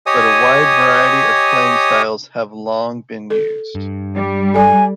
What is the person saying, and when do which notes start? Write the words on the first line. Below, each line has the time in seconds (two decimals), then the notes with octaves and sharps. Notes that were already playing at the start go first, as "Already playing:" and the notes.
But a wide variety of playing styles have long been used.
0.06 G4 C#5 D#5 G#5 D#6
3.30 A4
3.75 G2
4.14 G3
4.54 A4 D5 G#5